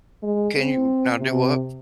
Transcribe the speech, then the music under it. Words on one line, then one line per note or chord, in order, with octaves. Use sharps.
can you now do what?
G#3
C4
C3